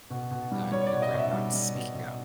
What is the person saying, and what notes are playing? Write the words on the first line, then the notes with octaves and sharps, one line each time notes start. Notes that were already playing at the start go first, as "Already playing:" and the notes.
not regret not speaking up.
B2
B2
G3
G3 C#5
C#5
D5
B2
D#5
B2
E5
G3
G3
B2
B2